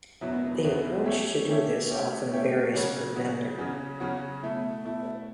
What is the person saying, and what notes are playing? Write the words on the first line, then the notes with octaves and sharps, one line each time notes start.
The approach to do this often varies per vendor.
E2 B2 F#3 B3 E4
E2 B2 F#3 B3 E4
A3 C#4 G4 C#5 E5
A3 C#4 G4 C#5 E5
A3 C#4 G4 C#5 E5
A3 C#4 G4 C#5 E5
C#3 F#3 C#4 F#4
C#3 F#3 C#4 F#4
C#3 F#3 C#4 F#4
C#3 F#3 C#4 F#4
B2 A3 E4
B2 A3 E4